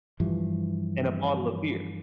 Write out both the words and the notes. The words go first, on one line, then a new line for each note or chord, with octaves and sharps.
and a bottle of beer.
G2 E3 F3